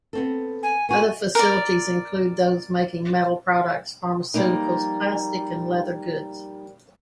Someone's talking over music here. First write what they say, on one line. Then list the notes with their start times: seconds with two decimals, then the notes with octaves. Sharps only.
Other facilities include those making metal products, pharmaceuticals, plastic and leather goods.
0.13 B3 C4 A4
0.63 G#5
0.89 B3 F#4 G#5
1.35 A#4 D5
4.34 F3 G3 G#3 A#3 D#4